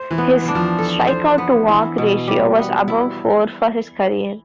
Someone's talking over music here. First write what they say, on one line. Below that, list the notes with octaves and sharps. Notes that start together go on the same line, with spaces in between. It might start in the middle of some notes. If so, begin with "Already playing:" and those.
His strikeout-to-walk ratio was above four for his career.
Already playing: C5
E3
B3
D4
F3
A4
C5
B3
E3 E4
B2
G3
B3
E4